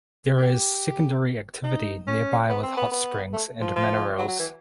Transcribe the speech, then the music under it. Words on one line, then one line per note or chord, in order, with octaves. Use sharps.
There is secondary activity nearby with hot springs and minerals.
G4
D#4
C#4
B3
C4
B3
B3
A3
F3
F3
F#3
F#3
E3